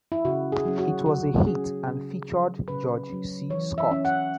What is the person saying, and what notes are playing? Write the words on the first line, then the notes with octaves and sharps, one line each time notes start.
It was a hit and featured George C. Scott.
E4
C#3 F#4
G#4
F#3 C#4
F#4
C#3 F#4
F#3 C#4 G#4
C#3
F#3 C#4
C#3 B4
F#3 C#4
E3 C#5
E5
C#4
F#5